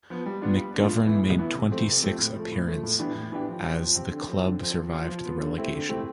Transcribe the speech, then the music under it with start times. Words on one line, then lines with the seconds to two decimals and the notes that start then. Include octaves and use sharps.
McGovern made twenty-six appearance, as the club survived the relegation.
0.10 F3 B3
0.26 G3
0.41 B3 D4 F4
0.57 G3
0.74 B3 D4 F4
0.89 A2
1.06 E3 B3 E4
1.23 A2
1.38 E3 B3 E4
1.54 C3
1.71 F3 A3 C4 G4
1.87 C3
2.02 F3 A3 C4 G4
2.18 A2
2.35 F3 A3
2.52 A2
2.68 F3 A3
2.83 A2
2.99 E3 B3 D4 G4
3.15 A2
3.32 E3 B3 D4 G4
3.48 F3
3.64 C4 G4
3.80 F3
3.95 C4 G4
4.11 D3
4.28 F3 C4
4.45 D3
4.60 F3 C4
4.77 F3
4.93 B3 F4
5.08 F3
5.24 B3 F4
5.41 D3
5.58 A3 C4 E4 G4
5.74 D3
5.89 A3 C4 E4 G4